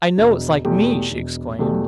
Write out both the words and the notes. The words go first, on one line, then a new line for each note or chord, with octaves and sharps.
'I know it's like me!' she exclaimed.
E1
E2 B2 A3 G4
E1
E2 B2 A3 G4